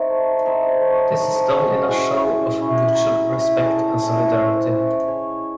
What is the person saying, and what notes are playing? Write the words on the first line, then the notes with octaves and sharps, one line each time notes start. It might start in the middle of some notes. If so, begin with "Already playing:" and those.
This is done in a show of mutual respect and solidarity.
Already playing: C4 D#4 C#5 E5
A3
C4 D#4 E5
D#5
A3 C#5
C#5
C4 D#4 C#5
A4
G#3 F#4
F#4
C#4 E4 G#4
G#3
C#4 E4
F#3
C#4 E4
G#4
F#3 A4
C#4 E4 G#4
C#5
G#3 C5
C#4 E4
G#3 C#5